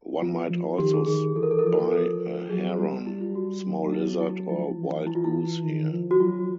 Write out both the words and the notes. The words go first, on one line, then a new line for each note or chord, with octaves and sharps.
One might also spy a heron, small lizard or wild goose here.
F3 F4
F3
D#3 G4
G#4
D#3 G#4
E3 A4
A#4
A4
A#4
F3 A4
A#4
A4
A4
F#3 G#4
F#4
G3 G4
E4
F4
F#4
F#3
E4
E4
F3 E4
E3
E4
F4
E4
D#3
F3
F#4
F#3 F4